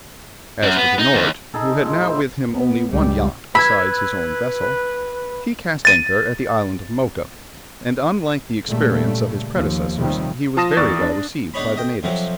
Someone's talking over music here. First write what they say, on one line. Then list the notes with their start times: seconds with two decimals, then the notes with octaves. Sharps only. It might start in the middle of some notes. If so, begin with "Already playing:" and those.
As for De Noort, who had now with him only one yacht besides his own vessel, he cast anchor at the island of Mocha, and, unlike the experience of his predecessors, he was very well received by the natives.
0.63 F#2
0.76 B3
0.99 D#4
1.14 D#2
1.54 D#4 G#4 A4
1.78 A#2 G#3 D#4
2.01 E4 C5 A#5
2.51 B3
2.91 C#2 G3
3.55 B4 B5 E6 G#6
5.85 A6 D#7
8.66 A#2 C#3 G3 A3
9.53 D#2 F3
9.97 D#2 C3 D#3 F3 G3
10.57 F3 F4 A5 D#6 A#6 E7
10.77 E2 D5 C#6 A6
11.02 D4
11.54 B3 D4 D#4 G#4 C#5 B5
11.75 A3 D#5 G5
12.03 F2 C3 F3 F#3 C4